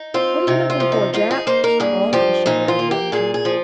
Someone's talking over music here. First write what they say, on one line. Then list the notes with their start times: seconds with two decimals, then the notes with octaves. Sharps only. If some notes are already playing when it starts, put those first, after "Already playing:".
"What are you looking for, Jap?" she called as she heard him rummaging.
Already playing: D#4
0.14 C4 F4
0.47 C3 D#4
0.70 F4
0.80 F3
0.92 D#4
1.14 D#4 F4
1.31 G#4
1.47 A#3 C5
1.64 A#4
1.80 G2 G#4
2.13 F3 G4
2.46 A#2 D#4
2.68 F4
2.79 A#3
2.91 G4
3.12 A#2 G#4
3.34 G#4
3.45 F3